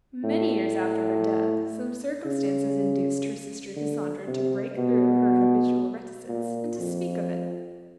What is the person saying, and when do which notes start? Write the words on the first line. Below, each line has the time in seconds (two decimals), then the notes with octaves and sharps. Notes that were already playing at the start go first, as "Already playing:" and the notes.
Many years after her death, some circumstances induced her sister Cassandra to break through her habitual reticence, and to speak of it.
0.24 A2
2.25 C#3
3.76 D3
4.27 C3
4.78 B2
6.29 A#2
6.79 F2